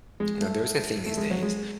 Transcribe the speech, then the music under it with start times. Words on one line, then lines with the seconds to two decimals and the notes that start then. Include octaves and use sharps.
now there's a thing these days
0.20 G#3
0.41 A3
1.06 A3
1.17 G#3
1.31 F#3
1.42 G#3